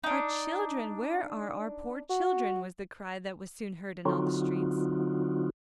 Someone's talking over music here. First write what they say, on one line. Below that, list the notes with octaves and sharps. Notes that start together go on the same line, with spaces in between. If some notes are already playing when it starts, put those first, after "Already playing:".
'Our children! where are our poor children?' was the cry that was soon heard in all the streets.
D4 D#4
F#4
D3 F#3 C4 D#4 F4 F#4